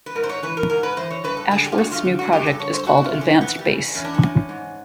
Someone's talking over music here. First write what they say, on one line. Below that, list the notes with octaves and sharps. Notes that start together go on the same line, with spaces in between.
Ashworth's new project is called Advance Base.
B4
G#2 A#4
C5
C#5
E3 B4
A#4
G#2 A#4
B4
E3 C5
C#5
G2 B4
A4
D3 G#4
G4
F4
G2 F#4
F4
D3
F#4
G2 G4
A4
D3 C#5
C5
G2 F#4
E4
F4
D3
C#4
C4
E3 B3
G3
C#3
E2 C#4
D4
C#4
E2
G#2